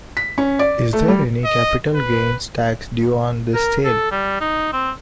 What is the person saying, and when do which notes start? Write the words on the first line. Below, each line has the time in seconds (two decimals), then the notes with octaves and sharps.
Is there any Capital Gains tax due on this sale?
0.17 B6
0.38 C#4
0.59 D5
0.93 A3
1.08 G3
1.44 D#5
1.95 B4
3.54 A#4
3.85 A4
4.12 G3
4.41 D#4
4.73 C4